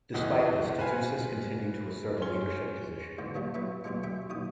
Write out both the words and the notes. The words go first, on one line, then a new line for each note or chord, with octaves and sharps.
Despite this Tootoosis continued to assert a leadership position.
G1 C#2 E3 D#5 F#5
B4 C5 F5 G#5
C#4 C6 G7
E2 G#2 D3
G2 A#2 C#3 G3 A3
A1 F#3 B4 E5 C#6
D2 B2 D3 F#3 G#3 C#6
F#2 E5 G5 C#6
A#1 F#2 D#3 D#6